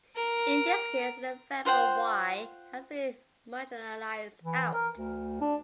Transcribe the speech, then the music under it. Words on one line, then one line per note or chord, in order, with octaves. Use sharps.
In this case, the variable "Y" has been marginalized out.
A#4
F4 C5 F#5 G5
E3
A#4
D2
D4